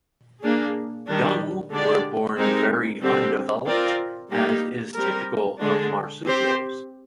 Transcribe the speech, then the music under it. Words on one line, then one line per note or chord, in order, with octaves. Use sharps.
Young were born very undeveloped, as is typical of marsupials.
A#3 D4 G#4
D#3 G3 D4
D3 G#3 D4 G4 D5
G#3 C4 D#4 G4 A#4
D3 G3 C4 G4
C4 F4 A#4 D5
G3 A#3 D#4 G4
G3 C4 G4 A#4
D3 G#3 D4
C4 G4 C5